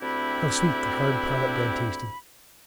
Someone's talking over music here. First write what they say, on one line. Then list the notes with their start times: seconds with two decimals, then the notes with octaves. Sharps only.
How sweet the hard pilot-bread tasted!
0.02 D2 C4 D4 E4 G4 B5